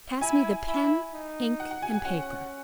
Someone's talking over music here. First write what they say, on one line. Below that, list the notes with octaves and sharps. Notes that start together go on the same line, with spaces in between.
"Pass me the pen, ink, and paper."
E4 G#5
E4
D#4
F#5
F#5
G#5
G#5
C#4 F#5